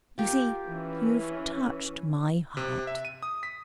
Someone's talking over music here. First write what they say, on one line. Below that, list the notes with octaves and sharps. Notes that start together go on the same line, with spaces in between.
You see, you've touched my heart.
F4 G4 A#4
E3 C#4
C3
E5
D#7
D#6
B6